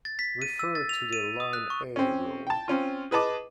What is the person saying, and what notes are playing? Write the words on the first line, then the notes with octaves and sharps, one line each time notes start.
Refer to the "Line A" rule.
A6
B6
D#7
E6
A6
F7
D#7
D#6
F#6
C#6
C4 C#4
G5 A5
C4 C#4 F4
G#4 B4 D#5 A5 D6